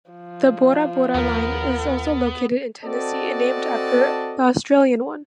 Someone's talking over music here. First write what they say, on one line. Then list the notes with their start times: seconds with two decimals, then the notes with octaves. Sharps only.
A Burra Burra mine is located in Tennessee and named after the Australian one.
0.11 F3
1.14 D#2 B3 A#4
2.84 C4 F#4 A4 D5 D#5 A5